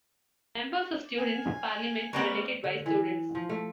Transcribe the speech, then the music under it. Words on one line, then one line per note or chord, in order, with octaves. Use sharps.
Members of students' parliament are elected by students.
G#5
G3 A#3 C4 A#4 B4 C#5
D3
E3
F3
A3